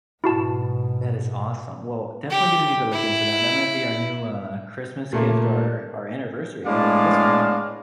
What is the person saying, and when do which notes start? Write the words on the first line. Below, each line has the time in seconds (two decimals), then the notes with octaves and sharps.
That is awesome, well, definitely gonna need to look into that, that might be our new, uh, Christmas gift or or anniversary gift at this point,
0.24 G#2 B2 E4 F#4 A5
2.31 G4
2.92 E4
5.13 A#2 A3 A#3
6.66 A2 G#3 B3 D4 D5 F5